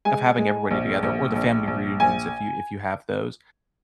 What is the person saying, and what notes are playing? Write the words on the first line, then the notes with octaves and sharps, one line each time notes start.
of having everybody together or the family reunions if you if you have those,
G#3 G#5
G#3
A#1
A#1
A#1
A#1
A#1 G#5